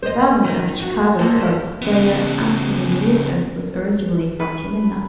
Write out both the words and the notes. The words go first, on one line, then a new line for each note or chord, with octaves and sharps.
The family of Chicago Cubs player Anthony Rizzo was originally from Ciminna.
C5 D#5
D#3
F#4
A#3 C4 A4
F#2 G3 E4
C#3 B3
B4